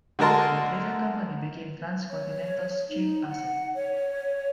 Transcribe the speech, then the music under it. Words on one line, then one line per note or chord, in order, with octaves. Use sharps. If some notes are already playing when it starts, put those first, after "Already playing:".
The trailer company became Trans Continental's chief asset.
D3 G#3 F#4 A#4 A5 C6
C#5
D#4
F#5
C#5